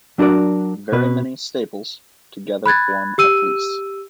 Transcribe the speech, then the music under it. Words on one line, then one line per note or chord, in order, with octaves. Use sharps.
Very many staples together form a fleece.
F#3 D4 F#4 A#4 D5
B2 B4
B5 F#6 G#6 A6
G4 E6 D#7